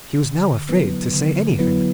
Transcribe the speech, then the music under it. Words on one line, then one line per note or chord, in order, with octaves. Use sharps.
He was now afraid to say anything.
D3
F#3 B3 E4 B4
D3
F#3 B3 E4 B4